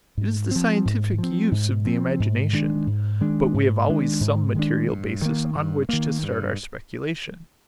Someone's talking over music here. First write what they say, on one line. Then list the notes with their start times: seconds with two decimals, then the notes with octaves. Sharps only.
It is the scientific use of the imagination, but we have always some material basis on which to start our speculation.
0.17 G#2
0.51 F3 C4
0.85 G#2
1.18 F3 C4
1.52 G#2
1.85 F3 C4
2.20 G#2
2.53 D#3 G#3 D4
2.87 G#2
3.21 D#3 G#3 D4
3.54 G#2
3.88 D#3 G#3 D4
4.21 G#2
4.55 D#3 G#3 D4
4.89 G2
5.22 D#3 A#3
5.55 G2
5.89 D#3 A#3
6.23 G2